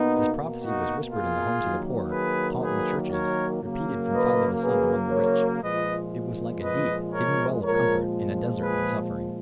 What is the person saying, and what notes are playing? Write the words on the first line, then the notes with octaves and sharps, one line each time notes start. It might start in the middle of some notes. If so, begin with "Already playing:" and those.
This prophecy was whispered in the homes of the poor, taught in the churches, repeated from father to son among the rich; it was like a deep, hidden well of comfort in a desert of suffering.
Already playing: B2 A#3 B3 D#4
D#4 F#4
F4 G#4
D#3 F#3 A#3
G#4 B4
G#4 B4
A#4 C#5
C#3 F#3 A#3
B4 D#5
G#4 B4
A#4 C#5
A#2 F3 G#3 B4 D#5
B4 D#5
A#4 C#5
A#2 F3 G#3 A#4 C#5
G#4 B4